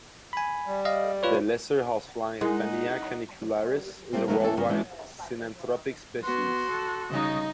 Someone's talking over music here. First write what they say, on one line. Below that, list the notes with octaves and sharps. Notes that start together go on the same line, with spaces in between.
The lesser housefly "Fannia canicularis" is a worldwide synanthropic species.
G#5 B5
G3
D#5 F5
F4 B4 C#5
G#3 D#4 E4 A#4 F#5
G3 A3 A#3 C4
C#3 F#3 A3 D#4 A#4
E3 A#3 C#4 A4
G2 C#3 B3 F#4 A#4
E3 G#3 C#4 D4
B3 F#4 C6
A4
C#3 G3 D#4 D#5